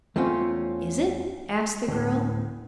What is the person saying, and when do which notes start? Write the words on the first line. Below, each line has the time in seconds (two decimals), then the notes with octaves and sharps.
"Is it?" asked the girl.
0.16 E2 A3 C4 C#4 F4
1.88 D2 A2